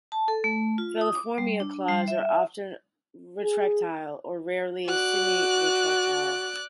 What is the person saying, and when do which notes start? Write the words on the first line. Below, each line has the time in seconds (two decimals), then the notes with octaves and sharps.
Feliformia claws are often retractile, or rarely, semiretractile.
0.12 A5
0.28 A4
0.44 A3
0.78 F4
1.01 D#6
1.15 D6
1.38 G3
1.60 D4
1.88 G3
2.08 E5
3.42 G#4
4.88 F#4 D5 F#6